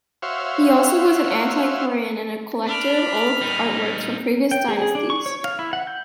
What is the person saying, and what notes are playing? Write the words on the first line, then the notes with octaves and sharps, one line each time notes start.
He also was an antiquarian and collector of old artworks from previous dynasties.
F#4 C5 C#5 E5 F5
D4 B5 F6
G3 D#4
G5
G#4
G#4
D4
C#6
C#5
F5
E4
F#5
G6